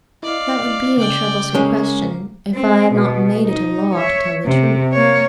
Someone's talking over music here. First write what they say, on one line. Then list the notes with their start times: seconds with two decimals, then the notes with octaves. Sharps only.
That would be a troublesome question if I had not made it a law to tell the truth.
0.23 E4 D5 D#5 F5
0.97 C#3 D5 G5
1.54 G#3 A#3 C#4
2.54 C4
2.93 B2
3.45 D#4
3.94 C#5 E5
4.46 C3
4.93 A#3 C#5